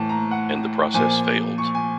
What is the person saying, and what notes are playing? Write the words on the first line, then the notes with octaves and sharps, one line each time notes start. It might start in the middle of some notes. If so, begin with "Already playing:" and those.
And the process failed.
Already playing: A2 E3 A5
A#5
F#5
A#2 F3 G#5
C#6
G#5